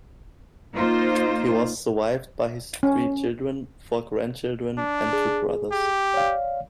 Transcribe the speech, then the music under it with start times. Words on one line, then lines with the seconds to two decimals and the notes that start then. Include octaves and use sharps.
He was survived by his three children, four grandchildren, and two brothers.
0.73 A#3 D#4 F4 C5
2.83 C#4
4.78 D4
5.13 G#4
5.72 G4
6.14 C#5 D5 F5